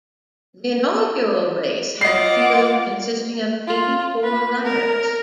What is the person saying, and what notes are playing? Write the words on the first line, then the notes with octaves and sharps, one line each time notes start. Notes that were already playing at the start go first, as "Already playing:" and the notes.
The inaugural race had a field consisting of eighty-four runners.
F4 D#5 F#5 D6 C7
F4
B4
A#4